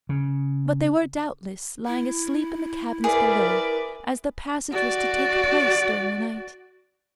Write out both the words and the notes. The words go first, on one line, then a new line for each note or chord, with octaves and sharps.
But they were, doubtless, lying asleep in the cabins below, as the passage was to take place during the night.
C#3
E4
G#4 A#4 B4 D5 E5
F#4 D5